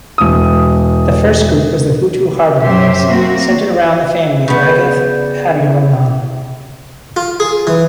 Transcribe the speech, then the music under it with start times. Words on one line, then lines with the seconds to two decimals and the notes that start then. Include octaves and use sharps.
The first group was the Hutu hardliners, centred around the family of Agathe Habyarimana.
0.18 E1 D#6
2.60 F#2 F#3 C#4 G4 C5 E5
3.08 A#3 C4 F#4
4.48 C#3 B3 B4 B5 G6
4.79 D5
5.53 E4
7.17 F4
7.40 G#4
7.67 E3